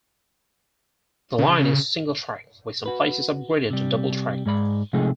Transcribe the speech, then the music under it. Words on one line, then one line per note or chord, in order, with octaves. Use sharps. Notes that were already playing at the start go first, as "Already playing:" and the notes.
The line is single track with some places upgraded to double track.
C#3
F#4 B4
C3 G3
G#2 G#3 D5 B5
C3 F3 G#3 A3 D#4 G#4